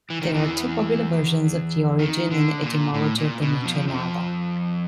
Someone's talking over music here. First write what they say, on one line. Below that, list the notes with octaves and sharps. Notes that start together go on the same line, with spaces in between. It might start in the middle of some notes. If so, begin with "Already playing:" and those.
There are two popular versions of the origin and etymology of the michelada.
E3
D#3
E2 E3
D#3
D3
A#2
A2
A#2
B2
F2 F3
F2 F3